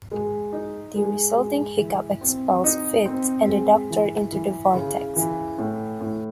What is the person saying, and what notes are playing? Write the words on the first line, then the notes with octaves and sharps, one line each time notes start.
The resulting "hiccup" expels Fitz and the Doctor into the vortex.
G#3
D#4
G#3
G#3
E3
C4
D#4
C4
G#3
E3
E3
C#3
E3
A2
A2